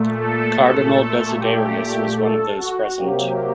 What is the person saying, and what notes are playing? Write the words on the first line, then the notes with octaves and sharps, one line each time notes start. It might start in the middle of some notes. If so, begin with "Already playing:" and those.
Cardinal Desiderius was one of those present.
Already playing: A#2 A3
A4
A4
G4
A4
F#4
C3 F#3 A#3 G4